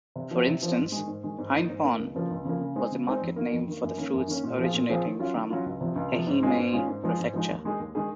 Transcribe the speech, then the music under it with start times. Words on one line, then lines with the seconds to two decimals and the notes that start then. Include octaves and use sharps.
For instance, "himepon" was the market name for the fruits originating from Ehime prefecture.
0.16 C3
0.31 F3 C4
0.47 C3
0.63 F3 C4
0.78 G#2
0.92 G#3
0.97 D#3
1.07 G#2
1.23 D#3 G#3
1.38 G#2
1.54 D#3 A#3 D#4
1.69 G#2
1.84 D#3 A#3 D#4
1.99 C#2
2.15 C#3 F3 A#3
2.30 C#2
2.45 C#3 F3 A#3
2.61 C#3
2.75 G#3 C4 D#4
2.91 C#3
3.07 G#3 C4 D#4
3.22 F2
3.36 D#3 A#3
3.52 F2
3.68 D#3 A#3
3.83 F#2
3.97 D#3 A#3 C#4
4.13 F#2
4.28 D#3 A#3 C#4
4.44 A#2
4.58 F3 C4 F4 G#4
4.74 A#2
4.89 F3 C4 F4 G#4
5.05 D#3
5.19 F#3 C#4 F4
5.35 D#3
5.50 F#3 C#4 F4
5.66 C#2
5.81 C3 F3
5.96 C#2
6.12 C3 F3
6.27 G#2
6.41 D#3 G#3 C#4 F4
6.57 G#2
6.73 D#3 G#3 C#4 F4
6.88 G#2
7.04 F3 G#3 D#4
7.19 G#2
7.34 F3 G#3 D#4
7.49 D#2
7.64 D#3 G#3 D#4 G#4
7.79 D#2
7.95 D#3 G#3 D#4 G#4